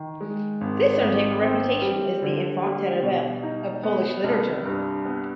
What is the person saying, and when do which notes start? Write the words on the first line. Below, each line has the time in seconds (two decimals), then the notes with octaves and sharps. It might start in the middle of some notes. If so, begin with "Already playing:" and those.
This earned him a reputation as the "enfant terrible" of Polish literature.
Already playing: D#3
0.21 G#3
0.61 G#1
1.02 G#1
1.42 C4
1.82 G3
2.22 D3
2.63 G3
3.03 B2
3.43 D#4
3.83 B3
4.24 C2
4.65 G2
5.05 B3